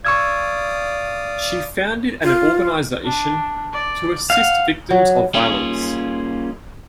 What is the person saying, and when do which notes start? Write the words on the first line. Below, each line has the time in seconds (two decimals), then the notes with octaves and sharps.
She founded an organization to assist victims of violence.
0.05 D5 F5 C#6 D#6 E6 G#6
2.23 F4
3.04 D4
3.73 D5
4.30 F5 F#5
4.90 F#3
5.34 G3 A#3 C#4 D#4 F4 G#4